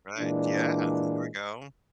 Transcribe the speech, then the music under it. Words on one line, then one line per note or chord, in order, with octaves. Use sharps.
Right. Yeah. There we go.
A#2 E3 G#3 D4